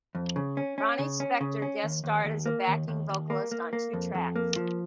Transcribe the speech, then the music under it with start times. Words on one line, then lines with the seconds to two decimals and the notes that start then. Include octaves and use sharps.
Ronnie Spector guest starred as a backing vocalist on two tracks.
0.15 F2
0.36 C#3
0.57 C#4
0.78 C#4
0.99 C#3
1.20 C#4
1.41 C#3
1.62 C#4
1.84 D#2
2.04 D#2
2.25 D#2
2.46 A#3
2.68 D#2
2.88 D#2
3.09 D#2
3.30 A#3
3.52 A#3
3.73 A#3
3.93 F2
4.15 F2
4.36 A#3
4.56 F3